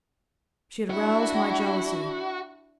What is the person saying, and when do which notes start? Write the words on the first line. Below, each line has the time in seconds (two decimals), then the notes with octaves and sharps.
She had roused my jealousy.
0.90 D4 E4 F#4